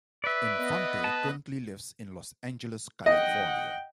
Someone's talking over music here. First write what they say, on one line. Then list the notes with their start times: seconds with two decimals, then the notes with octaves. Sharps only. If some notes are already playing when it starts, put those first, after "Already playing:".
Infante currently lives in Los Angeles, California.
0.24 B4 D5 E5
0.58 B3 D#5
1.04 A5
3.06 D#5 F#5 G5